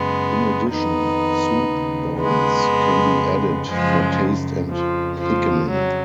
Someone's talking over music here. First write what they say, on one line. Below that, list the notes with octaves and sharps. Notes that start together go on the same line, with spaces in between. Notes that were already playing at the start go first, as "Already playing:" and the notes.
In addition, soup bones can be added for taste and thickening.
Already playing: F#2 C#3 G#3 B3
F2 D#3 B3 D#4
D#2 C#3
G#3 B3
F2 C#3
F#2 C#3 F3 G#3
F2 C#3 F3
F3
F2 C#3 F#3